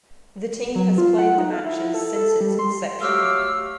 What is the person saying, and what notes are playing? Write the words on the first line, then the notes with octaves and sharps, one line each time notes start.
The team has played the matches since its inception.
F#3
F4
F#5
D#4
F5
E4
A4
A4
G3
C6
F#3 A3 G4 F5 D6 E6